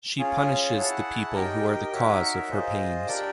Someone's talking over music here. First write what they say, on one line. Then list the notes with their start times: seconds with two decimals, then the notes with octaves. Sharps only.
She punishes the people who are the cause of her pains.
0.19 C#4 F4 G#4 C#5
0.76 E4 G#4 C#5 F#5 A5
1.34 D#4 G4 A#4 D#5 G5
1.91 D#4 F#4 A#4 C#5 E5
2.49 F4 G#4 C5 D#5
3.07 D4 G4 A#4 D5 G5